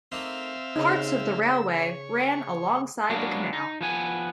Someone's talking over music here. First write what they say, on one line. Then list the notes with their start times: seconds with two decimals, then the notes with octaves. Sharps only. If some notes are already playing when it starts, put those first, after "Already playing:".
Parts of the railway ran alongside the canal.
0.12 A3 A#3 C4 D#4 E5 F5
0.76 C#3 D#4
1.43 E6
1.76 C#5
3.10 F#3 G#3 A#3 B3 D4
3.53 D#4
3.81 F3 B3 G#5